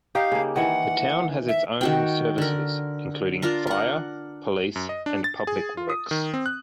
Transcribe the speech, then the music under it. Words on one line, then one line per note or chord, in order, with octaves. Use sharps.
The town has its own services, including fire, police and public works.
D#4 G4 F5
C#3 A#3
D#3 E3 F#5
E5
D#3 F#4 G5
D3 A#4
D4 F4 A#4 A#5
A#4 F#5
F#2
D#5
D4
A6
G#4
F4
D#6
D#3
C4
F#6